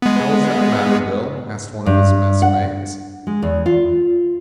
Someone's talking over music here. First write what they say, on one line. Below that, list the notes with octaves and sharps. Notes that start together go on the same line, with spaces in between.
"How was that matter, Bill?" asked one of his messmates.
G#3 B3
G2
F#5
G#3
E2
F4